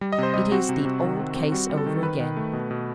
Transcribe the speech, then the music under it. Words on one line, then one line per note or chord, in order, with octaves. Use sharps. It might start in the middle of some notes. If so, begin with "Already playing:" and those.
It is the old case over again.
G3
D#5
C3 C5
G3 D#5
C4 F#4
C3
C3
D#3
C4
C4
G3 F#4
G3
A4
D#3
D#3 B4
D#3
A3
B2
B2